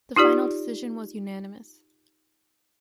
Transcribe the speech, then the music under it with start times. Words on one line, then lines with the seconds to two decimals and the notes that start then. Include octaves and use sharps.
The final decision was unanimous.
0.16 D#4 F4 G4 D5